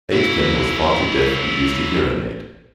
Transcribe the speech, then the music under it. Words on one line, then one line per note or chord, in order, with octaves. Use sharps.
Aitken was partly deaf and used a hearing aid.
F#3 E4